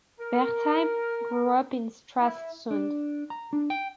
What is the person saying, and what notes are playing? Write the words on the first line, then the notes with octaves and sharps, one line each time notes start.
Wertheim grew up in Stralsund.
A#4
E4
D4
A#5
D4
G5